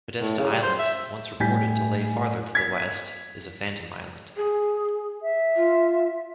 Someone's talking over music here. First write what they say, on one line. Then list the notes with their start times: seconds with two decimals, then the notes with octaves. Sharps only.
Podesta Island, once reported to lay farther to the west, is a phantom island.
0.20 A2
0.38 C#3
0.51 G3
0.62 C5
0.79 E5
1.40 A2 G3 G#5 G6 B6
2.55 G#6 B6
4.37 G#4
5.22 E5
5.56 F4